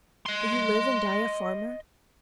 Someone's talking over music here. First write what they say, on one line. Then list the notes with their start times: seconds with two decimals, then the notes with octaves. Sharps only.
Will you live and die a farmer?
0.26 D#5 C6